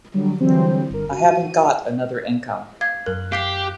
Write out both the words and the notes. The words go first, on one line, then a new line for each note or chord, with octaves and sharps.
I haven't got another income.
D3 F#3 G3
D3 E3 F#3 G3 C4 C5
G1 A#4
F#4 D#7
F5 G#6
F#2 A#4 F#6
G4 F5 B6 C7